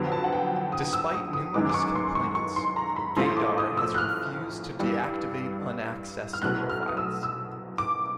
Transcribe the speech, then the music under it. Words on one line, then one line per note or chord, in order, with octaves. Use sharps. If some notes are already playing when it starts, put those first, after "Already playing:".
Despite numerous complaints, Gaydar has refused to deactivate unaccessed profiles.
Already playing: F2 D3 F#3 B3
A5
F#5
G5
D#6
E6
D#6
D#6
F#2 D#3 G#3 B3 D6
D6
C#6
C6
C#6
C#6
C6
A#5
B5
A#1 A2 F3 A3 C6
D6
D#6
E6
F#6
F6
G2 E3 G3
F6
C2 B2 F#3 A3 F#6
F6
D#6
E6
E6
D6